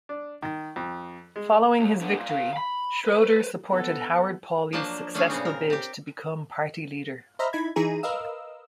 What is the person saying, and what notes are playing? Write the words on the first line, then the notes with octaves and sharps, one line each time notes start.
Following his victory, Schroeder supported Howard Pawley's successful bid to become party leader.
D4
D#3
F2
G#3
D#2
D3 B3
A#2
B2 F5
F5 B5
B4 C5
B3 A4
F3 F#3 A#3 D4 C5 A5
A3 C#4 D4 F4 G#4
A#2 C#3 B3 C4
A#4
C4 G4
C5 D#5 E5 A#5 B5 F6
D#4 E4 B5 G#6
E3 D#4 E4 G#4 A#5 D#7
A#4 B4 D#5 F5 E6